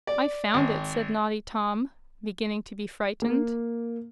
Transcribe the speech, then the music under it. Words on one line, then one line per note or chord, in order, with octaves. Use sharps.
"I found it," said naughty Tom, beginning to be frightened.
D5
G#1
A#3